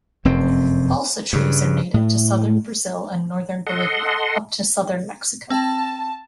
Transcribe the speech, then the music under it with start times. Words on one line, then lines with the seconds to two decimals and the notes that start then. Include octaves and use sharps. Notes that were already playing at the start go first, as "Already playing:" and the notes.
Balsa trees are native to southern Brazil and northern Bolivia, up to southern Mexico.
0.25 F1 F#2 C4
1.33 G2 C#3
1.94 A2
3.67 A4 D#5 F#5 C6
5.50 C4 G5 A5